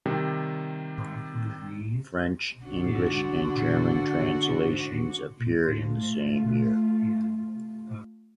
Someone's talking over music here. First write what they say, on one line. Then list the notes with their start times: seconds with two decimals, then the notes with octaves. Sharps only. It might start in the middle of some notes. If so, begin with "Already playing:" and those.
French, English and German translations appeared in the same year.
0.06 C3 D#3 G3
2.65 D3 F#4
5.66 A3 F4